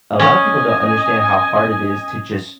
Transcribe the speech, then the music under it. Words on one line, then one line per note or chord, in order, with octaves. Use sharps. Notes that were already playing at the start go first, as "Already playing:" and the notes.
a lotta people don't understand how hard it is to just
C#4 D#5 G#5